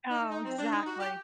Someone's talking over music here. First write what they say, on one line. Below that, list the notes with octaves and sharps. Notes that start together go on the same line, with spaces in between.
Oh, exactly.
D#4
D#4
C4
D4
D#4
F#4
G4